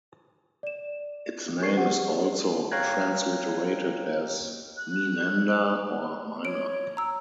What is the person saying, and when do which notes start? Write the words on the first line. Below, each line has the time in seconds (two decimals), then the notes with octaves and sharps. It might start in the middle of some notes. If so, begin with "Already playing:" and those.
Its name is also transliterated as "Meenanda" or "Mina".
0.63 D5 E7
1.61 G#4 A#4 C#6 C7
1.77 G4 G#4 C5 F#5
2.71 C#5 F5 G5 A#5 F#6 G#6
4.77 F#6
6.45 C#5 D7
6.97 A#5 E6